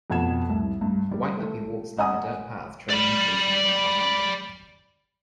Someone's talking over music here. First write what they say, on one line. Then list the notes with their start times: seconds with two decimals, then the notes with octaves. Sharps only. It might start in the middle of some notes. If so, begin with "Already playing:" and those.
A white puppy walks down a dirt path trailing his leash on the ground behind him.
0.10 F2 B2 F#5 G#6 E7
0.49 C2 A2
0.81 G2
1.11 G3
1.37 A3
1.98 D#5 F#5 G#5 D#6
2.90 D5 B5